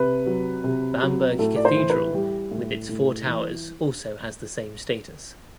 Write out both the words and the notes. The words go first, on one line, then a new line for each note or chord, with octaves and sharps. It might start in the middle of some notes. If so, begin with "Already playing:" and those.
Bamberg Cathedral with its four towers also has the same status.
Already playing: C3 B4
F#3
C3
F#3
A2 A4
D5
C5
E3
B4
G3 G4
A2
A2
E3